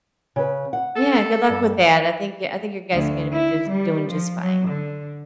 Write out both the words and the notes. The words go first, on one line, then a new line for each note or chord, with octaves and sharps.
Yeah, good luck with that. I think I think you guys are gonna be just doing just fine.
C#3 B4
F#5
A4
G2
D2
E4
G3
F3
F#3
D3